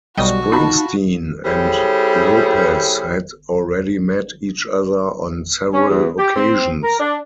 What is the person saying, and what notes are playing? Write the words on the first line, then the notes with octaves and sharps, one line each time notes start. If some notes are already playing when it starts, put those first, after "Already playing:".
Springsteen and Lopez had already met each other on several occasions.
B1 G3 F#4 D#5 G5
D#4 F4 A5 B5
G3 C4 E4 G#4 A4 C#5
C#4
E2
G4
C4
A#4
D4